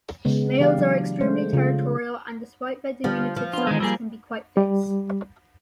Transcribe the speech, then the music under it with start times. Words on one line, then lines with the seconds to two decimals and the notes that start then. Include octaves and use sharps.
Males are extremely territorial and-despite their diminutive size-can be quite fierce.
0.25 C#3 G#3 B3
0.60 E3 D4 G4 D5 F5
0.78 F#3
1.20 G#3 A3 C5
1.53 C#3 F4
3.04 D3 F3 G3
3.36 F3
3.53 B3 D4 F4
3.67 D#3 G#3
3.80 G3 A#3 G#4 E6
4.57 G3